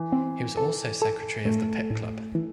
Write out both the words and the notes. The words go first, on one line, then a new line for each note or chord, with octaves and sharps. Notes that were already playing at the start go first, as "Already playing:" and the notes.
He was also secretary of the Pitt Club.
Already playing: E3
C4
A4
A4
A2 A3
A2
E3